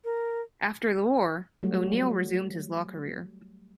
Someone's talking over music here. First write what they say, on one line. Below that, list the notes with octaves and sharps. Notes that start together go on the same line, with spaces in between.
After the war, O'Neal resumed his law career.
A#4
F#3 G3 A3 F#4